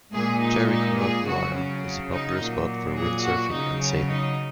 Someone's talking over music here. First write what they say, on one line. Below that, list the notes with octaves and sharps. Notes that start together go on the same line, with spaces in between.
Jericoacoara is a popular spot for windsurfing and sailing.
A#2 G#3 G#4
D#4
D#4
G#4
C#3 F#3 F#4
C#4
D#4
A#2 F#3
G#4
F#4
C#3 F#3 D#4
C#4
D#4